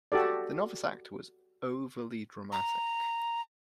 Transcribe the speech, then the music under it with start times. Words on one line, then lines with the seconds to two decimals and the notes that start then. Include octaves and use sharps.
The novice actor was overly dramatic.
0.12 F#4 G4 A4 D5
2.52 A#5